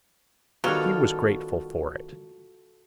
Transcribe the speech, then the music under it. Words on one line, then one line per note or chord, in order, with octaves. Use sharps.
He was grateful for it.
D#3 F#3 G3 B3 F4 F#4 A4 F6